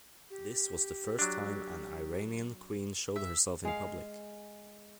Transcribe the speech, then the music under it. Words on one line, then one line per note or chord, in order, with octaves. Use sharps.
This was the first time an Iranian queen showed herself in public.
G4
F#3 D4
E5
G#3 F5